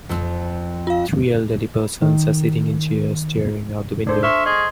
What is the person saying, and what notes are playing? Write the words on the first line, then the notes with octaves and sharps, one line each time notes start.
Three elderly persons are sitting in chairs staring out the window.
F2
F4 F5
D#3
D4 A4 C5 D5
E5 C6 C#6 F6
G#4 D#5 C6